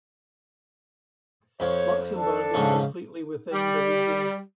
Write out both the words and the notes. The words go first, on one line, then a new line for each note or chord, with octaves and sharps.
Luxembourg is completely within the region.
F2 F3 C#5
D4 A4
G#2 C#3 F3
G3